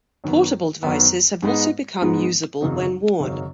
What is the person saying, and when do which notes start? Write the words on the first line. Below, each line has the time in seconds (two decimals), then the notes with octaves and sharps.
Portable devices have also become usable when worn.
0.24 F#2 D#3 B3
0.83 F#2 D#3 B3
1.42 G#2 G#3 B3 D#4
2.02 G#2 G#3 B3 D#4
2.61 G#1 F#2 C#3 F#3 D#4
3.20 G#1 F#2 C#3 F#3 D#4